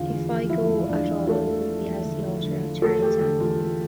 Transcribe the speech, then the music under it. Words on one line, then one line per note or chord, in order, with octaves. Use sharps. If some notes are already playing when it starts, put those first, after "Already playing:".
If I go at all it will be as the author of Charley's Aunt.
Already playing: E2 D3 F4 F5
E2
F3
F3 E4 E5
E2
E2 D4 D5
E2
E2 A3 A4
E2
F3
E2
D3
F3
D3
F3
E2 A3 A4
A3 G4
D3 G4
E2 F4
A3